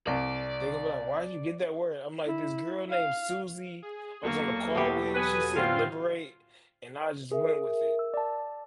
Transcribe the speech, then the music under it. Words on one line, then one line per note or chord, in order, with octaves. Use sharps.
They gone be like, "Why did you get that word?" I'm like, "This girl named Suzie, I was on the call with, she said liberate, and I just went with it.
C2 D5
E4
F5
G#4
E2 F#3 A#3 A4 C#6
B2 G4
B4 G#5 D#6
A2 D3 G3 C4 F4 F#4 C6
G#4 A#4 E5
E6
D5 A5